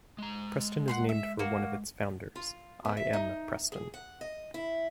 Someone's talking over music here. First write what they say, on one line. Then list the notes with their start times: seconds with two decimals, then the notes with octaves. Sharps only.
Preston is named for one of its founders, I. M. Preston.
0.18 G#3 A#5
0.88 F#5 B5 C6
1.09 E5
1.39 A#3 F#4
2.36 F4
2.85 B3
2.97 E5
3.13 D#4
3.72 G#4
3.94 F#5
4.21 D#5
4.54 E4